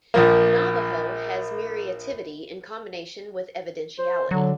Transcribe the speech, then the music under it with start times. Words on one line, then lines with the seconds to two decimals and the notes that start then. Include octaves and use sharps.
Navajo has mirativity in combination with evidentiality.
0.14 A#1 F3 A#3
3.99 C5
4.31 D3 F#3